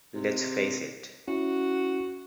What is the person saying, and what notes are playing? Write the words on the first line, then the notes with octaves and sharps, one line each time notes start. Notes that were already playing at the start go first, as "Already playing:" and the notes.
Let’s face it!
C3
C#4 E4 F#4